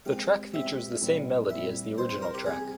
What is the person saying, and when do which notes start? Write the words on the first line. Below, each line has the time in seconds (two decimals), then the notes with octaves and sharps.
The track features the same melody as the original track.
0.05 G#3 C4 G4 F5
0.54 G#3 C4 G4 E5
1.01 A#2 G3 C4 E4
1.50 A#2 G3 C4 E4 E5
1.98 C3 G3 C4 C5
2.09 C5
2.22 A#4
2.34 G4
2.46 C3 G3 C4 G#4